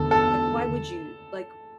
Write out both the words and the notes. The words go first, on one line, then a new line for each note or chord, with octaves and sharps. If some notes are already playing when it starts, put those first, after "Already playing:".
why would you like,
Already playing: E2 D3 B3 A4
A4